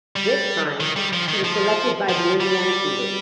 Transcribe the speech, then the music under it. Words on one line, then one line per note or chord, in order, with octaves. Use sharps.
This time, she was selected by the Indiana Fever.
G3
D#3
G3
F3
D#3
F3
F3
G3